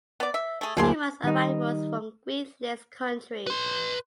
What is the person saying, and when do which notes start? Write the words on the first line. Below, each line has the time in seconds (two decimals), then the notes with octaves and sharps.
Same as arrivals from Green list countries.
0.20 B3 D5
0.34 E5
0.61 A3 G#4
0.77 D1 D3 A#3 G#4 C6
1.24 D#3 G3 D#4
3.47 B4 C6